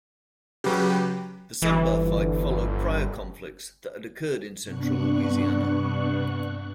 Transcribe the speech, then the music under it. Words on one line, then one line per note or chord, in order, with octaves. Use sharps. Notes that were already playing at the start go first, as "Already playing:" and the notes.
The Sandbar Fight followed prior conflicts that had occurred in central Louisiana.
C#3 F#3 G4 B4
G1 E3
G2 C3 B3 D4 C#6 F#6